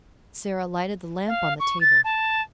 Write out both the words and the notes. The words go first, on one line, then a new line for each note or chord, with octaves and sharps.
Sara lighted the lamp on the table.
F5
C#6
A6
A5